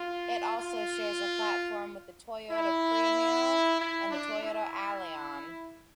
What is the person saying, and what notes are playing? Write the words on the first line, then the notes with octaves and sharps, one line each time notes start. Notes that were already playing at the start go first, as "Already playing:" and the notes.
It also shares a platform with the Toyota Premio and the Toyota Allion.
Already playing: F4
F4
E4
E4
D4
E4